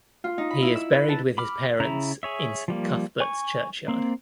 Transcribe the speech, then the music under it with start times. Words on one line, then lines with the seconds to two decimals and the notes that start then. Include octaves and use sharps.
He is buried with his parents in St Cuthberts Churchyard.
0.24 F4
0.38 D#4
0.51 B5
0.62 E4
0.76 E6
0.92 B4
1.09 A5
1.38 B5 D6 F6
1.80 C#3 E4 A#5
2.23 G#4 C#5 E5
2.68 F3 G3 A#3
3.20 G#5 C#6
3.88 A#3 C4